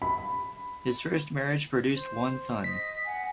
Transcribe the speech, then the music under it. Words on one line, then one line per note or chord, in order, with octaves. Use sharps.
His first marriage produced one son.
B5
C5
D#5 B6
F#5 G#5